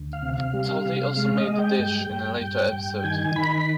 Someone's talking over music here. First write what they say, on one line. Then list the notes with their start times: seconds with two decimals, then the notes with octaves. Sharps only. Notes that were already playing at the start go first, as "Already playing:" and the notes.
Talde also made the dish in a later episode.
Already playing: D2
0.13 F5
0.22 C3
0.34 F5
0.54 G3
0.85 C3
1.16 G#3 F5
1.38 D#5
1.48 G#3
1.59 G5
1.79 G2
2.10 G2
2.41 G2
2.73 G2
3.04 D#3 G#5
3.35 D#3 B5